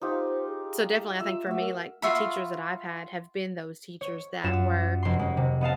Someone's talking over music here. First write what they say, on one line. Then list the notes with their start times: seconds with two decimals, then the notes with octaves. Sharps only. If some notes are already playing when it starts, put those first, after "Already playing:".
so definitely, I think for me, like, y teachers that I've had have been those teachers that were,
0.01 D#4 F4 G4 C5
0.48 G#4
1.20 F4 E5
1.47 A3 F#4 E5
1.59 A#4
2.02 F4 F#4 E5 B5
4.01 C#5
4.44 F#2 F4 E7
5.03 F1 C6
5.19 G#3 C#4
5.37 C3
5.61 B3 D#5 F5 A5